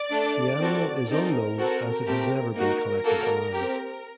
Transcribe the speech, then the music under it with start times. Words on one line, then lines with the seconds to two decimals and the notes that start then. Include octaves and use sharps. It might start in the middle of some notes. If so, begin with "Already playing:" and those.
The animal is unknown as it has never been collected alive.
Already playing: D5
0.10 A3 D4 A4
0.59 C4 F#4 A4
1.07 C4 D#4 A4 A#4
1.57 C4 F#4 A4
2.05 A3 C4 G4
2.54 A#3 D#4 F#4 A#4
3.03 A#3 F#4 A4
3.53 C4 G4